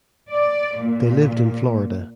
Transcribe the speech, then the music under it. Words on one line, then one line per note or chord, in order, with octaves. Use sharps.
They lived in Florida.
D5
A#2